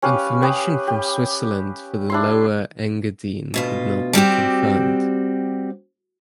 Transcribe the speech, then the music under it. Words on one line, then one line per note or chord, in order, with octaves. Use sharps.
Information from Switzerland for the Lower Engadine could not be confirmed.
C#4 G4 B4 F5
G4 B4 D#6
G4
D4 E4 C6
D2 B2 F4
G3 C4 F#4 G4